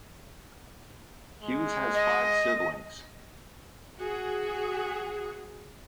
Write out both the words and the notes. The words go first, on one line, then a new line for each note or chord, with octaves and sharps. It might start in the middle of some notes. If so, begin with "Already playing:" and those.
Hughes has five siblings.
G#3
D#5
F#4 G#4